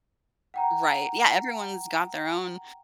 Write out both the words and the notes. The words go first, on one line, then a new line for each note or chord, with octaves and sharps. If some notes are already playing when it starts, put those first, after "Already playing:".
Right, yeah, everyone's got their own
F#5 G5 A#5